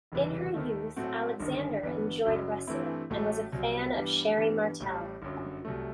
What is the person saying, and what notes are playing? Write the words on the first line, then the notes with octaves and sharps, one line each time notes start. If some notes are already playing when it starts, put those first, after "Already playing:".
In her youth, Alexander enjoyed wrestling and was a fan of Sherri Martel.
F#1 E2 C3 E3 G3
D#2 D#3 A3
A2 F#3 A3 C4 F#4
G1 G2 D#3
G1 G2 E3 B3
F#1 F#2 F#3
G2 E3 A3 C4 E4
A1 A2 F#3 A3
C2 C3 F#3 C4
G2 E3 G3 B3
G2 E3 B3
A1 A2 G3
G1 F#2 F#3
C2 C3 F#3 A3